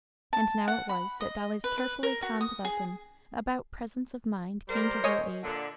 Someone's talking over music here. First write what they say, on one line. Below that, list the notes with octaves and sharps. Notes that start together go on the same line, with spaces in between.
And now it was that Dolly's carefully conned lesson about presence of mind came to her aid.
A5
F#5
B5
D#5
B4
B4
A#4
F#4
D#6
G#4
G3 A#4 C5
C#5 D#5 G#5
A#2 D3